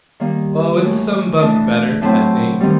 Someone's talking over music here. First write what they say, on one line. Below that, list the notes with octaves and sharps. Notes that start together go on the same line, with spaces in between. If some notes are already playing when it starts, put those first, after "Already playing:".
"Oh, it's some bub-better, I think."
D#3 G3 A#3
A2 E3 A3 C#4
E3 A3 D4
A2 F#3 A3 C4 E4
D#3 G3 C4